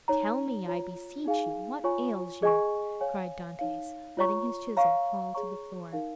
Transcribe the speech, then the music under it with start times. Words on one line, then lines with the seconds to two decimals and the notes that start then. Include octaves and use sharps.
"Tell me, I beseech you, what ails you?" cried Dantes, letting his chisel fall to the floor.
0.08 D#4 C#5 A#5
0.67 F4 C#5 A#5
1.25 D#4 G#4 F5 G#5
1.84 F4 C#5 G#5 C#6
2.42 G#4 D#5 G#5 C#6
3.01 C#5 F5 G#5
3.59 D#4 C#5 F5
4.17 F4 C#5 A#5 C#6
4.77 C#5 F5 A#5 C#6
5.35 G#4 C#5 A#5 C#6
5.93 D#4 A#4 F5